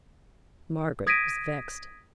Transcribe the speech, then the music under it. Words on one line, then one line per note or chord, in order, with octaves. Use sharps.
Margaret was vexed.
D#6 G#6 A#6 B6 D7 D#7